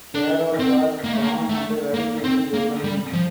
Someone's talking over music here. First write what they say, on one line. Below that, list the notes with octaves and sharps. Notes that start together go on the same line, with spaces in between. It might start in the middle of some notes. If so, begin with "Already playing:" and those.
Carroll was born and raised in Germany.
D4
C4
A#3
A3
A#3
A3
A#3
C4
A#3
G3
F3